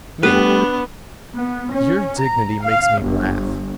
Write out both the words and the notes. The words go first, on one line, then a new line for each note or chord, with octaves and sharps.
ME: Your dignity makes me laugh.
G3 A3 B3 D4 G4 B4
B3
C#4
A#5
F5
G1